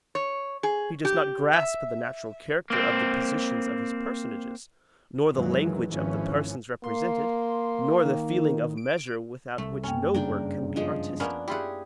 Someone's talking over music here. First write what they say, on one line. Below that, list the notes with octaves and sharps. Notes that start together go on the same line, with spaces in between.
He does not grasp the natural character of the positions of his personages, nor the language of the persons represented, nor the feeling of measure without which no work can be artistic.
C#5
G#4
G4
E5
A#3 C4
F#2 D#3 E3 F#3 G#3
G#1 E3 F3 C#4
A#3 C6
D#3
D7
C2 A3
F#2 A#3 C#4 G5
G2 C#3 D4 G#4 A#4 G5
F3 G#3
A#3 B3 C#4 D4
E4 F4 G4 G#4 F#5